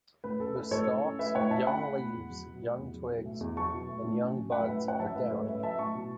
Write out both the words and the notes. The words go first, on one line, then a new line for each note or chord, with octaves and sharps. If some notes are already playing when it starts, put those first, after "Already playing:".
The stalks, young leaves, young twigs and young buds are downy.
A2 B4
C#4 A4
A3 B4
A2 A4 C#5
A2
C#4
A3 B4 E5
A2 C#5 F#5
A2 E5 A5
C#4 F#5 B5
A3
A2
E2
F#3
B2
A3
E2
F#3
B2
A3
E2
F#3 A5 C#6
B2
A3
A2
C#4
F#3
A2 F#5 B5
A2 B4 E5
C#4 C#5 F#5
F#3 E5 A5
A2 B4 E5
A2 A4 C#5
C#4 B4 E5
F#3 E5 A5
A2 A5 C#6
B2